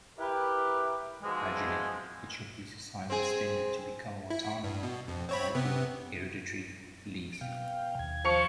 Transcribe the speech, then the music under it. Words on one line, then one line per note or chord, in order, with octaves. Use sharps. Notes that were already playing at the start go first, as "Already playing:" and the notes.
Gradually, each of these assignments tended to become a 'watan' i e, hereditary lease.
E4 G4 A#4 B4
G#2 B2 E3 F3 G#3
C4 G#4
E4
G2
B2
F2
C4 C#5 B5
C3 B3
B2 F5 G5
D#2 G#6
F3 C#6 C#7 F7